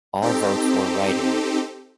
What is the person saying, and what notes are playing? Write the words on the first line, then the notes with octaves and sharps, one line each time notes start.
All votes were write-in.
C4 D#4 G4 A4